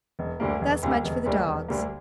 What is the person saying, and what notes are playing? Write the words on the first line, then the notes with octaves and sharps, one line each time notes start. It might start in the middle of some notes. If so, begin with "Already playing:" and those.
Thus much for the dogs.
E1
D2 D3 G3 A#3
E1
D2 D3 G3 A#3
E1
D2 D3 G3 A#3
E1
D2 D3 G3 A#3